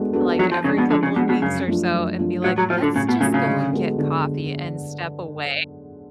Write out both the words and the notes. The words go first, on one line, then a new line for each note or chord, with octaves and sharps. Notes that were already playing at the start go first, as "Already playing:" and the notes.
like, every couple of weeks or so and be, like, let's just go and get coffee and step away.
Already playing: G#3 B3 D4 F#4 A4
B3 D4 F#4 A4
F3 F#3
F3
C#3 G#3 D4
B2
D3 F3
C#3
B2 G#3 D4
B2
F#2 C#3
F3 A3 D4 F4
F#2
F3 A3 D4 F4
A2 F#3
F#3
F3 F#3 A3 F4
D3
A2 C#3
B2
C#3 F#3 A3 F4
C#3
D3
G#3 B3 F#4 A4
D3